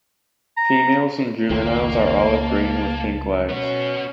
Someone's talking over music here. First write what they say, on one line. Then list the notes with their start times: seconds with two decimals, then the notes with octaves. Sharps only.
Females and juveniles are olive-green with pink legs.
0.57 A#5
1.50 F1 C#2 D#3 A#3
2.28 C#2 A5
3.49 B3 C#4 F#4